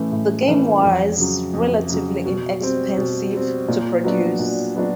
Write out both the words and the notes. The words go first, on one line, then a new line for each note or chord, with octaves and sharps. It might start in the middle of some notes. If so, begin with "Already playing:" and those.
The game was "relatively inexpensive" to produce.
Already playing: A2 E3 A3 C#4
A2
E3 A3 C#4
F2
C#3 F#3
F2
C#3 F#3
B2
G3 C4
B2
G3 C4
A#2
F#3 B3 D4 F#4
A#2
F#3 B3 D4 F#4